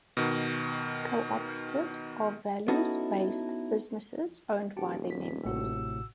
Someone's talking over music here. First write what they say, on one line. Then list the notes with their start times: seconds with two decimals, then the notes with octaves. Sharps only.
Co-operatives are values based businesses owned by their members.
0.17 B2 D#3
2.68 B3 C#4 D#4 E4 F#4 A4
4.77 D#1 F#4 G4 A5
5.11 B6
5.45 A1 A2 C3 F#4 E6